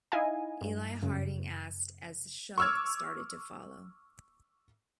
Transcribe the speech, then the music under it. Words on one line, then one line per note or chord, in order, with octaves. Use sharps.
Eli Harding asked, as Shunk started to follow.
D#4 E4 D#5 F5 G#5
G2
F#2 C#3
C#6 D6 E6 F6 G#6